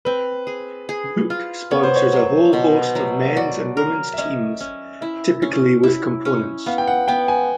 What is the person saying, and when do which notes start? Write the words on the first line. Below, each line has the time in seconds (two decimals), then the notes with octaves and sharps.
Look sponsors a whole host of men's and women's teams typically with components.
0.05 C4 B4
0.47 G#4
0.89 G#4
1.30 F4
1.71 B3 C#5
1.83 C5
1.96 C#5
2.13 F#3
2.53 B2
2.95 F#3
3.37 F#4 D5
3.77 A#4
4.14 E5
4.18 C#4 D#5
4.60 C#4
5.01 E4 E5
5.42 C#4
5.83 E4
6.25 C#4
6.66 B3 F5
6.78 G5
6.87 F#5
7.08 B3 G5
7.28 G#5